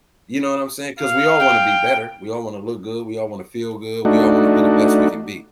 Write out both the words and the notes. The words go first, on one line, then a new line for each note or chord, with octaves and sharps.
you know what I'm saying? 'Cause we all wanna be better. We all wanna look good, we all wanna feel good, we all wanna be the best we can be.
F5
G5
A3 D4 D#4 F#4